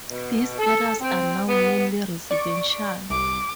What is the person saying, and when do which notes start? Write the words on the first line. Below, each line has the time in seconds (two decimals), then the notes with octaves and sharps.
These areas are now mainly residential.
0.11 B2
0.58 A4
1.01 C4
1.48 B3
2.31 D5 C#6 D7
3.10 C2 D6